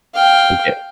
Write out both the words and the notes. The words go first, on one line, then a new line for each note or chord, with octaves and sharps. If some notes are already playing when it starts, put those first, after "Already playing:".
And get
F5 G5